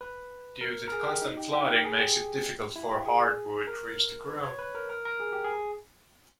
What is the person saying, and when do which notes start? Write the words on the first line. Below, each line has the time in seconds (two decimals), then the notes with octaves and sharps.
Due to the constant flooding makes it difficult for hardwood trees to grow.
0.01 B4
0.61 A#4
0.88 A#4
0.92 G#4
1.07 G4
1.22 D#4
1.37 G4
1.53 G4
1.69 A#4
1.76 G4
1.84 G#4
1.99 G4
2.76 E4
2.91 G4
3.06 G#4
3.67 A#4
4.28 B4
4.43 C#5
4.59 B4
4.75 A#4
4.89 A#4
5.05 A#4
5.20 G#4
5.32 G4
5.44 G#4